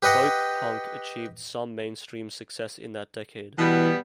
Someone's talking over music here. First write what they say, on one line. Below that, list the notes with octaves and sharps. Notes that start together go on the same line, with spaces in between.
Folk punk achieved some mainstream success in that decade.
G4 B4 D#5 F#5 G5
B2 E3 G3 B3